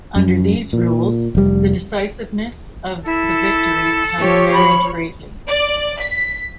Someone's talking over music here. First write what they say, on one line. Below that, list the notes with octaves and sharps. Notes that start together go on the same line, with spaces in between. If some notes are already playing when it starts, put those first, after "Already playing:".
Under these rules, the decisiveness of the victory has varied greatly.
F#2
A#2
F1 G3
E4 A4
F3 G4 C#5
B5
D5
B6